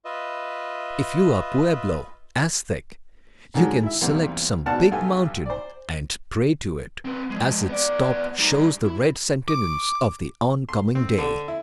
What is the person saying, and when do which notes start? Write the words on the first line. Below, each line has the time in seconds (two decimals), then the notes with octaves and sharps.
If you are Pueblo, Aztec, you can select some big mountain and pray to it, as its top shows the red sentience of the on-coming day.
0.05 F4 B4 D#5 E5
3.54 G#2 D3 D#3 F#3 G#3
3.83 E4 E5
4.01 B1 E2 G3 A#3 C4
4.66 G#1 B2 D4 F#5 A5 F6
4.91 B1 G2 G4 A4 G#5
5.45 C5 D5
7.05 C4 B4
7.30 F3 G#3
7.69 B3 D5
8.39 G3 D#4
8.85 E4
9.48 D6
10.69 C6
10.95 C4
11.18 D3
11.48 E4